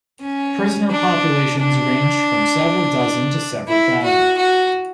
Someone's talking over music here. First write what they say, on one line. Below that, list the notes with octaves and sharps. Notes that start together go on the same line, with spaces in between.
Prisoner populations ranged from several dozen to several thousand.
C#4
D4
D4
E4
F#4
F#4